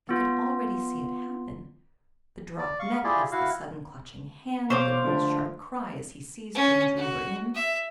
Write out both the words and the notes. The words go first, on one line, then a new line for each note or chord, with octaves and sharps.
I could already see it happen--the dropped necklace, the sudden clutching hand, the girl's sharp cry as he seized her and drew her in.
B3 F4
D5
F5 C#6
E4 F4 G4 G#4 D5
E4 F#4 F5
B2 C5 C#5 F5 D6
D3 F3 A3
C#4
F#4
E5